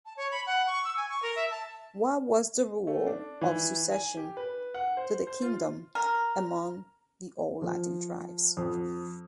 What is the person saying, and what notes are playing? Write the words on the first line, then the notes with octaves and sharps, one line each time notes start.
What was the rule of succession to the kingdom among the old Latin tribes.
A5
C#5
B5
F#5
C#6
E6
G#5
C#6
A#4
E5
A5
A3
D4
E3
G#5
G4
B4
F#5
C5
C5
F4
A#4
F3
F2